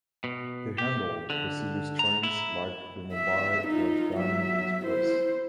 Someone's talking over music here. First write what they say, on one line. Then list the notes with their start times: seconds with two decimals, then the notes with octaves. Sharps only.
It handled prestigious trains like the Mumbai Rajdhani Express.
0.24 B2
0.78 G4
1.30 D3
1.99 A#5
2.23 E4
3.14 E5
3.67 D#4 F4
4.17 F#3 E5
4.84 E4 C5